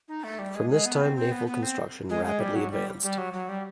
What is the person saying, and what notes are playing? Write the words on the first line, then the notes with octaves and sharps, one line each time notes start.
From this time naval construction rapidly advanced.
D#4
A3
G3
G#3
G#3
B3
C4
C4
B3
B3
C4
G#3
G#3
G3
F#3
G3
G3
F#3
F#3
G3